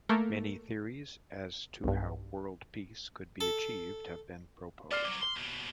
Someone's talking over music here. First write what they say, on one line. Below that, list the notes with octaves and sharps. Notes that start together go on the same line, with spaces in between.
Many theories as to how world peace could be achieved have been proposed.
A3 A#3 A4 A#4
B1 G2
A4
B3 C5 D5 F6 C7
C2 F#3 D6
C6
D#2 B2